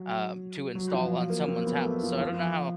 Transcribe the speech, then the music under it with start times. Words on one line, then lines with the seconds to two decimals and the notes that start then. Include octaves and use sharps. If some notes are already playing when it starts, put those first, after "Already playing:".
um, to install on someone's house, so, I don't know how,
Already playing: F#3
0.75 F#3
0.93 F3
1.30 A#3
1.48 C4
1.66 B3
1.84 A3
2.03 F3
2.21 F3